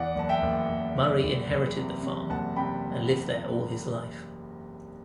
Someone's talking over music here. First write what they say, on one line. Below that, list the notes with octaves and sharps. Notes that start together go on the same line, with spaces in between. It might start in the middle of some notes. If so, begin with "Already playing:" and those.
Murray inherited the farm and lived there all his life.
Already playing: E2 D5 F#5
F#1 A5
E5 G5
F#1
F#1
F#1
F#1
F#1
C3
C3
F#1 F#5 A5
C3 G5 B5